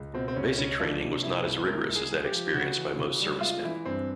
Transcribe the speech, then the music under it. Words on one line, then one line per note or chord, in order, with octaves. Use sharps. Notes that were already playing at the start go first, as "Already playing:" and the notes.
Basic Training was not as rigorous as that experienced by most servicemen.
Already playing: C#2
B2 C4
C4
C#2 C#4
C#2 C#4
F3 D4
C3
C3 E4
C2
G#3 A#4
C2
G#4
G#3
G4
F3
C#3 F#4
E3
C#3
G3
G#3 F4
E3 E4
G2 C4